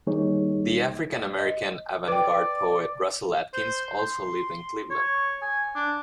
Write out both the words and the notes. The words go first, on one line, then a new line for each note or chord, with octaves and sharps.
The African-American avant garde poet Russell Atkins also lived in Cleveland.
D#3 G3 A#3 D#4 G#4 C#5
D#5
B4 D5 G5
C5
C6
C#5
G#5
D4